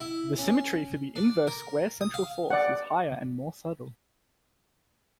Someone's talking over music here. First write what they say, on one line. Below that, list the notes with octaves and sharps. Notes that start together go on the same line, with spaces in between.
The symmetry for the inverse-square central force is higher and more subtle.
E4
C#4
D4
A#4
D#6
F5
D5 F#5